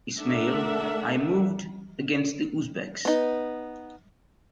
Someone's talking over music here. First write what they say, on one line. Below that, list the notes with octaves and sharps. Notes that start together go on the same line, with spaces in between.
Ismail I moved against the Uzbeks.
A3 D4 A#4 E5 F#5
B3 D#4